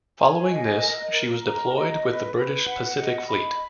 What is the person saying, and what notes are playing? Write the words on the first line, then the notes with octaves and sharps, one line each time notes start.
Following this, she was deployed with the British Pacific Fleet.
G#5
D#5
A#4
A#4
A#5
D#5
B4
B4
F#5
D#5
B5